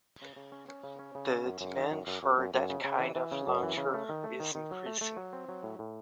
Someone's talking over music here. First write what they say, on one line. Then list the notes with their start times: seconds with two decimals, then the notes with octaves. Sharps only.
The demand for that kind of launcher is increasing.
0.22 C#3
0.36 C#3
0.52 C#4
0.69 C#4
0.84 C#3
0.99 C#4
1.15 C#3
1.30 C#4
1.45 F#2
1.61 F#2
1.77 D#3
1.91 F#2
2.07 F#2
2.23 F#2
2.38 F#2
2.54 F#2
2.70 C#3
2.84 C#3
3.00 E3
3.16 E3
3.32 C#3
3.47 F#2
3.63 E3
3.77 C#3
3.94 A3
4.09 D#3
4.24 A3
4.40 D#3
4.55 D#3
4.71 F#3
4.86 A3
5.01 A3
5.17 F#3
5.33 C4
5.49 F#3
5.63 A2
5.79 A2